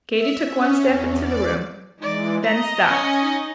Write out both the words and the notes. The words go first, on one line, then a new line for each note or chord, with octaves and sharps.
Katy took one step into the room--then stopped.
E5
C#4
E2
D5
E3 G#3 D#4 D5
D#5 A#5
C#4
D#4